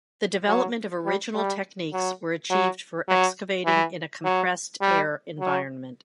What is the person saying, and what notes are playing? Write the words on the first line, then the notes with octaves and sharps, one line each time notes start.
The development of original techniques were achieved for excavating in a compressed air environment.
F#3
G3
G3
F#3
F#3
F#3
E3
F#3
G3
F#3